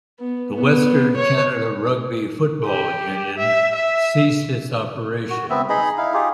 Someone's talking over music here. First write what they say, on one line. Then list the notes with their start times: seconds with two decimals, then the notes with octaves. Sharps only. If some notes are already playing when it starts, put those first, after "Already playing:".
The Western Canada Rugby Football Union ceased its operations.
0.19 B3
0.54 B3
1.17 C#5
2.66 G4
3.38 E5
3.75 E5
5.30 F#4
5.50 B3 C4 E5
5.69 D#4 G#4 D#5 B5
5.98 D#4 E4 F5
6.14 D#4 F4 G4 G#4